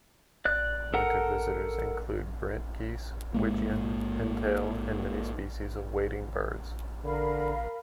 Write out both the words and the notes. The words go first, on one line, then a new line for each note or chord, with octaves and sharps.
Winter visitors include brent geese, wigeon, pintail and many species of wading birds.
D5 F#6
A4 A#4 F#5 A#5
G#2 G#3 A#3
D3 A#4 F5 B5